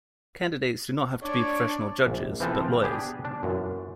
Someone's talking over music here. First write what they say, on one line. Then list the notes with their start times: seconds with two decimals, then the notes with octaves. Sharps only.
Candidates do not have to be professional judges, but lawyers.
1.23 D4 C#5 D5 D6
2.07 A#1
2.40 E3 F3 C4 F4 A4 B4
2.64 G5
2.82 B3 D4 G4 G#4
3.25 D4
3.43 F#2 A#2 E3